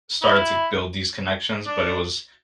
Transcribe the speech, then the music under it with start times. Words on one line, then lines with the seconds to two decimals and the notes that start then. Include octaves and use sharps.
started to build these connections, but it was
0.23 E4
1.66 D4